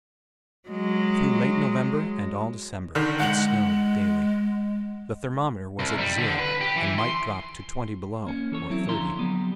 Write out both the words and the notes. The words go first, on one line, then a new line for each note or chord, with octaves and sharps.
Through late November and all December it snowed daily; the thermometer was at zero and might drop to twenty below, or thirty.
F#3 G#3
D3 D#3
G#3 F#5 F#7
C2
G3
D3
B4
G4
E3
C6
A#3 C#4
E3 A4 C#5
F#3 C4 E4
D3 F3 C#5 A#5 C6
F#3 G3 B3